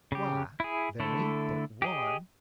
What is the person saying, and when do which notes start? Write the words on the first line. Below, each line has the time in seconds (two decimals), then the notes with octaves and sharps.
"Why, there ain't but one."
0.12 C#3 G4
0.60 E4 G#4
1.00 D3 A3 E4 A4
1.82 G4 G#4 D#5